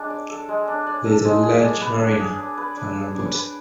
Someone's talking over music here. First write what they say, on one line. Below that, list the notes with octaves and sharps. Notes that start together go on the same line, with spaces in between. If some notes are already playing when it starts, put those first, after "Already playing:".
There is a large marina for narrowboats.
Already playing: G#3 D4 A4
D5
A4
G#3
D4
D5
A4
G#3
G#4
D5
B4
D4
G#4
D5
B4
D4
G#4
D5
B4